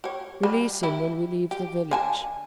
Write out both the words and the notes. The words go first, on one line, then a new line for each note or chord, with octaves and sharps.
"Release him when we leave the village."
G4 C#5
G3
E3 E4 G4
G4
D3 G#5 A5